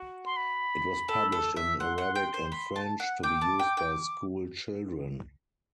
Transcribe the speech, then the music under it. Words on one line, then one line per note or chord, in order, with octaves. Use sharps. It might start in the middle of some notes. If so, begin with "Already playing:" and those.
It was published in Arabic and French, to be used by school children.
Already playing: F#4
C6
B5
A4
A4
E5
F#5 C6
F#5
G5
C5
B5
A5
F#5
G5 D6
A5
G5
G5